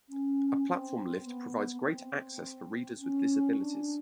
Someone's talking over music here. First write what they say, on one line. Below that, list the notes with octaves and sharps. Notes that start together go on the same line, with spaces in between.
A platform lift provides greater access for readers with disabilities.
C#4
C4
B3
C4
C#4
D4